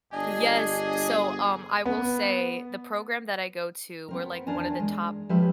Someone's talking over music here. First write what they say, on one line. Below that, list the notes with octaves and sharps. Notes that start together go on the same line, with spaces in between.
Yes, so, um, I will say the program that I go to, we're, like, one of the top
G1 D4 G#4 D#5 G#5
B3
B3 C4 A#4
E2 D4 A#4 G#5 A5
G#3
F3 G#3 C#4 G4 B4 E5